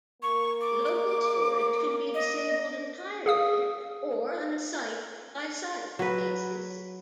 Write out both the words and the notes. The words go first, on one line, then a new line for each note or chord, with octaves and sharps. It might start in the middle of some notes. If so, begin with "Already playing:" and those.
Local storage can be disabled entirely or on a site-by-site basis.
A#3 C#6
D6
D#5
G#4 F5 D#6
F#3 B4